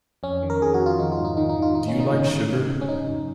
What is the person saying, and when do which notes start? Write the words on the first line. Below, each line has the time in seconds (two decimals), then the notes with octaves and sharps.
Do you like sugar?
0.23 F2 C#4
0.43 D#3
0.50 A#4
0.62 F2 G#4
0.74 F#4
0.80 F2
0.86 F4
0.99 D#3 D#4
1.12 F4
1.18 G#2
1.25 D#4
1.37 D#3 D#4
1.49 D#4
1.56 D#3
1.62 F4
1.75 D#3 D#4
1.88 C#4
1.94 D#3
2.00 D#4
2.12 G#2 C#4
2.31 G#2
2.51 C#3
2.70 C#3
2.81 C#4
2.89 F#2 D#4
3.08 F#2